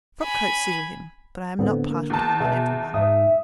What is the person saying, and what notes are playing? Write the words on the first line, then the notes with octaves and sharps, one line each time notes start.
Frock-coats suited him, but I am not partial to them on every one.
G#5 B5
A2 D3 B3 C4
A#3
E2 A5
B2 G#4 E5
G#2 E5 D#6